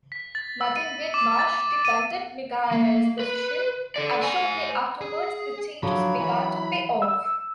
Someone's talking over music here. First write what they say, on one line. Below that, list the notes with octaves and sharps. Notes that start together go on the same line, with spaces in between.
Martin Whitmarsh defended Michael's position, and shortly afterwards the changes began to pay off.
B6
A6
E6
D#7
D6
A6
D#7
A#3
B4
A4 D5
C5 G#5
G#4
D3 F3 F#3 B5
E3 F#3
E6